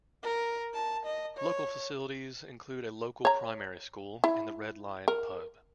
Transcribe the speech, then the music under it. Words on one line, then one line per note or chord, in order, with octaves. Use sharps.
Local facilities include a local primary school and The Red Lion pub.
A#4
A5
D#5
C#5
C#5 A#5
E4
A#4